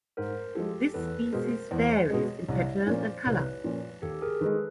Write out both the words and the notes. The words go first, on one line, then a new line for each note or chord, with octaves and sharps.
This species varies in pattern and color.
G#2 A#4 C5
F3 G#3 G4 A4
E2 A4 B4
B2 G#3 A#4 C5
E2 C5 D5
B2 G#3 C#5 D#5
C2 C#5 D#5
A#2 F3 A#3 C#4 C5 D5
C2 B4 C#5
A#2 F3 A#3 C#4
D#2 G4 A4
G#4 A#4
D#3 G#3 A4 B4